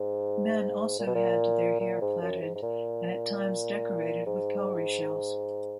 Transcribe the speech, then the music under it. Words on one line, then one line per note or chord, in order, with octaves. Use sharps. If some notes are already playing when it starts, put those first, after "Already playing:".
Men also had their hair plaited and at times decorated with cowrie shells.
Already playing: G#2
A#2
B2
A#2
A#2
G#2
F#2
G#2
G#2
A#2
G#2